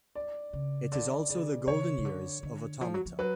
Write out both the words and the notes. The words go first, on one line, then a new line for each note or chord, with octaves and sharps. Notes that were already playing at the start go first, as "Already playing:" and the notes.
It is also the golden years of automata.
D5
C#3
D3 D5
C#3 D5
C#3 C#5
C#3
D3
D3
F3
F#3
F3
F#3 B4